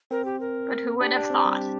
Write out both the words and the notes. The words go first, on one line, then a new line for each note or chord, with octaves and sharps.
But who would have thought?
C4 A#4
G4
A#4
D4 G4
D4
C4
G3